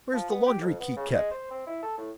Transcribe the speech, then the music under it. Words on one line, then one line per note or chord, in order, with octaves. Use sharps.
"Where's the laundry key kept?"
F3
B3
G4
F2
B3
C#3
G#3
C5
C4
E4
A4
A2